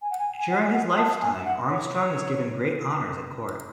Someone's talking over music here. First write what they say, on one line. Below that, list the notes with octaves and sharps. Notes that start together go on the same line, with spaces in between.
During his lifetime Armstrong was given great honours at court.
G#5
F#5
G#5
G#5
F#5
G#5
F#5
A5
G#5
E5
F#5
C#5
C#5